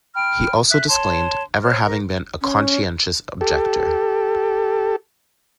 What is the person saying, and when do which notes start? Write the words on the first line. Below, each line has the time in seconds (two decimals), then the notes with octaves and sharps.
He also disclaimed ever having been a conscientious objector.
0.14 G5 B5 F6
0.70 E5 F#6
0.89 C#5 A5 C6
1.63 C5 C#5 F6
1.85 A#4
2.42 C#4
3.41 G4 A4